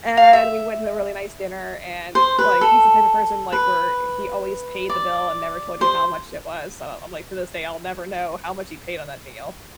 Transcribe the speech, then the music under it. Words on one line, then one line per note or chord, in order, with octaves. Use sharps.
and we went to a really nice dinner and, like, he's the type of person, like, where he always paid the bill and never told you how much it was, so I'm like, to this day, I'll never know how much he paid on that meal.
F5
E5
C5
B4
A4
B4
D5
C5